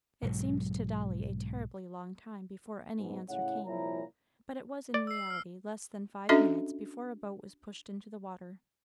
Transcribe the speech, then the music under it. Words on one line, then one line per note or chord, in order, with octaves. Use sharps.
It seemed to Dolly a terribly long time before any answer came, but it was in reality less than five minutes before a boat was pushed into the water.
B1 G#2 F#3
G#2 B2
A2 C#3 E4 C#5 F#5
C2 A#2 F3 E4 C#5 A#5
D5
E6 C7
F6
C#4 D4 F#4 A4 D#5 E5